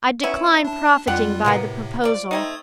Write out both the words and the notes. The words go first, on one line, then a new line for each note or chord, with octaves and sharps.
I decline profiting by the proposal.
B3 C#4 E4
D4 A5
F2 D3 G3 F4 G4 F#5
A2 C3 F#3 A#3 B3
F3 D5
A3 C4 D#4 D#6 G#6